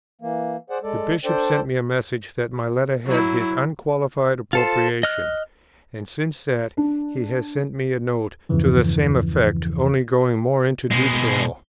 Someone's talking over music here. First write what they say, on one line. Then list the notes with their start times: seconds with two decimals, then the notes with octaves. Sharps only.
The Bishop sent me a message that my Letter had his unqualified approbation; and since that, he has sent me a note to the same effect, only going more into detail.
0.21 E3 A#3
0.70 G#4 C5 D5 F#5
0.83 G#3 A4 D5
1.25 D4 A4 C5 D5 G5
3.06 F#3 E4
4.53 F4 A4 C5
5.03 D#5 F6 F#6
6.77 D4
8.49 E2 G2 C#3 E3 F3
10.91 B2 G#3